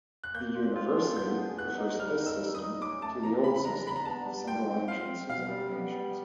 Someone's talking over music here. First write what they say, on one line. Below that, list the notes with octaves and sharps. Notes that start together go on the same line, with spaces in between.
The university prefers this system to the old system of single entrance examinations.
F#6
A#3 G6
F4
F4
D4
B3 G6
G#4
B3 F#6
D#4
G3 F6
D#4
E6
G3
D#6
D#4
C#4 D6
A3 A5
E3 A#5
C#3 B5
B5
D4 A#5
D4 B5
A#5
B3 A5
G3
F4 G5
C4
F4 F5
C4
B2 F5
G3
B3
G3